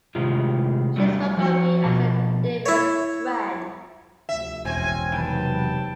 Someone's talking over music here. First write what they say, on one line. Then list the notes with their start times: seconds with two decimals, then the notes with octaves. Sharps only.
She spoke of me as her dearest friend.
0.15 A2 C3 D#3 G#3 F4
0.96 F#3 G3 A3 D#4
1.37 F3 F#4
1.84 B2 F3 A5
2.66 E4 C#5
4.29 D2 C3 F3 E5
4.65 E1 A1 E2 C4 C#4 G#5
5.12 D#2 C3 F#3 B4 G5 A5